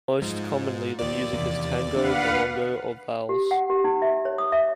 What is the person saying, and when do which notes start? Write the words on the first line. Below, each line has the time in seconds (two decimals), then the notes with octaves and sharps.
Most commonly the music is tango, milonga or vals.
0.22 G#2 F3
0.99 D#2 D5
1.33 E2 C3 E3
1.95 D2 D4 B4 F5 F#5
3.29 G4
3.51 F#5
3.70 G4
3.84 D#4
4.02 E5
4.25 C#5
4.38 D#6
4.52 E5